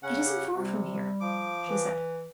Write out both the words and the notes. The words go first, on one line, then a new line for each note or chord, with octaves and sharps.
"It isn't far from here," she said.
C#3 C#4 F#5
G4
C3 G3
F3 D6
E3